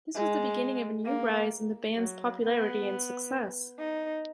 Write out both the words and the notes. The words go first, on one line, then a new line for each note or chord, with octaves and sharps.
This was the beginning of a new rise in the band's popularity and success.
G#3
A#3
F#3
B3
D#4